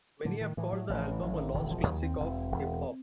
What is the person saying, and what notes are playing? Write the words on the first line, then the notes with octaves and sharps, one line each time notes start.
Many have called the album a lost classic of hip hop.
A2 D3
D#3
A2 E3
F#3
A1 F3
E3
A1
D#3
E1 D#3
F3
D#2 F#3
C4
E1
E1